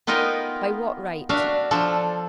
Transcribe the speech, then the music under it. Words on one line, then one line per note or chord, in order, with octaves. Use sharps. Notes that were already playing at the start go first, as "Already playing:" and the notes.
By what right?
B3 D#4 F4 A#4 D#5 G5
D4 F#4 E5 F5
F3 D4 A4